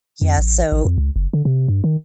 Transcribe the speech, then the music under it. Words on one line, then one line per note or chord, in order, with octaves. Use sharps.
Yeah, so
F2
A1
A1
F2
C#2
F#1
D3
C3
G2
D#3